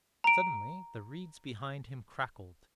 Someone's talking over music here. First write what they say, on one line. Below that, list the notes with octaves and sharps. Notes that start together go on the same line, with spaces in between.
Suddenly the reeds behind him crackled.
A#5 D7